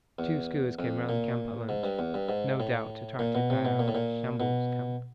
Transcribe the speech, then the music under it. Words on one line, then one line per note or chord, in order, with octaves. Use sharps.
Two skuas came round the camp at lunch, no doubt attracted by our 'Shambles' camp.
E2
F2
A#2
G#2
G2
E2
G2
G#2
A2
A#2
B2
C3
B2
A#2
A2
A#2
B2